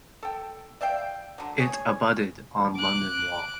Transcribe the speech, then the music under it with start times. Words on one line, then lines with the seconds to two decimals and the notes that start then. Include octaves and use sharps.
It abutted on London Wall.
0.23 A4 G5
0.81 D5 E5 F5 G5
1.38 D3 F#3
1.60 G#4 C#5
2.74 D6 F#6